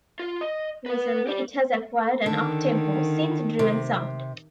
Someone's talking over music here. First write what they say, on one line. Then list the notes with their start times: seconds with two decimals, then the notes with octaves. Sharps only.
Recently it has acquired an uptempo, synth-driven sound.
0.19 F4
0.41 D#5
0.86 B4 F#5
1.27 G4 D5
2.26 D3 D#3
3.59 C3